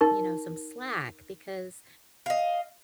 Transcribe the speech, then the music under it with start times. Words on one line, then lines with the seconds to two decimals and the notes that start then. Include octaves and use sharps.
you know, some slack, because,
0.01 D#4 A#4 C#6
2.26 D#5 F5